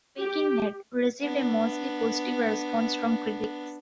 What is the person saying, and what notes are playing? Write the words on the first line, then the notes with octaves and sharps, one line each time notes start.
"Waking Ned" received a mostly positive response from critics.
G4
B3 D4